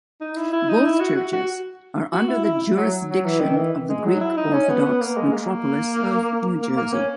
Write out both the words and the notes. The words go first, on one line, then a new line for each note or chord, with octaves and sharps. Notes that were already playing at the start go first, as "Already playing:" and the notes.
Both churches are under the jurisdiction of the Greek Orthodox Metropolis of New Jersey.
D#4
E4
E4
D#4
E4
F#4
F#4
F#4
F#4
E4
E4
F#3
F#3
E3
D#3
E3
G#3
F#3
E4
D#4
C#4
B3
B3
A#3
G#3
A#3
A#3
A#3
C#4